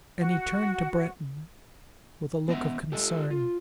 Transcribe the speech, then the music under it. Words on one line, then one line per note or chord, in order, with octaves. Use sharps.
And he turned to Breton with a look of concern.
F#4 F#5
B3 D#5 E5
G4 A4 D#5
F4